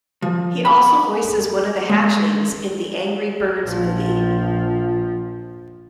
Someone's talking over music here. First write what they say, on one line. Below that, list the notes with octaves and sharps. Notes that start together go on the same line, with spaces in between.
He also voices one of the Hatchlings in "The Angry Birds Movie".
F3
B5
G#3
A#1 F3